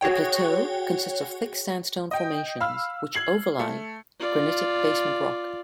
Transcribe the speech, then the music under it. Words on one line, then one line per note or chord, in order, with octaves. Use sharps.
The plateau consists of thick sandstone formations which overlie granitic basement rock.
F#4 G#4 C#5 G5
D#5 G5
F5 B5 E6 F6
G#6 C7 F#7
A3
F4 D5